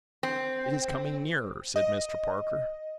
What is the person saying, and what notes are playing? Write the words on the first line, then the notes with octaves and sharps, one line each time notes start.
"It is coming nearer," said Mr. Parker.
C4
D#5